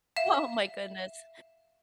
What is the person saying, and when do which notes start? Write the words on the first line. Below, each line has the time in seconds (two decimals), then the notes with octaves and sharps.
Oh my goodness.
0.16 E5 F5 E7